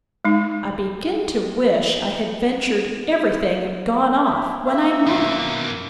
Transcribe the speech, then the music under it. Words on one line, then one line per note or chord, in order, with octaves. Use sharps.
I begin to wish I had ventured every thing and gone off, when I might.
G#3 D#4
E4
A#3 E5
F#2 B2